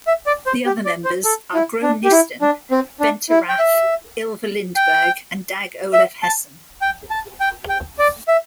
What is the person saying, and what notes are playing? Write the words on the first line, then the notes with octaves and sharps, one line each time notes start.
The other members are Gro Nystuen, Bente Rathe, Ylva Lindberg and Dag Olav Hessen.
E5
D5
C5
G4
D5
C5
A4
E4
D4
G4
E4
D4
C4
D4
E4
G5
E5
G5
E5
A5
G5
A5
G5
G5
D5
E5